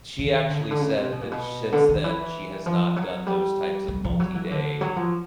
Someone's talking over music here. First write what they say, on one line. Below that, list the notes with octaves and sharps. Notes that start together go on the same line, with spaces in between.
she actually said that sh ince then, she has not done those types of multi-day
D#3
D3
C#3
D3
C#3
C3
B2
A#2
B2
D3
D#3
E3
F3
F#3
G3
G3
F3
F#3
E3
D3
F#3
F3